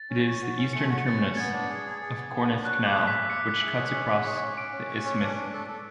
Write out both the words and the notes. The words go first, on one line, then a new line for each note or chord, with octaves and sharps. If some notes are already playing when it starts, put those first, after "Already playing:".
It is the eastern terminus of the Corinth Canal, which cuts across the isthmus.
Already playing: A6
C#4
C#5
F#4
C#4
A3 C#7
F#4
C#5 A6
C#4
B3 G#6
D4
G#4
G#4
G#4
B3
B3
D4
C#5 F#6
G#4
D6
E5
B6
E5
E5 C#7
E5
G#4
C#4
C#4
G#4
C#5
C#4
C#4 D7
C#4
C#5
C#4
D4
D4
A4
A4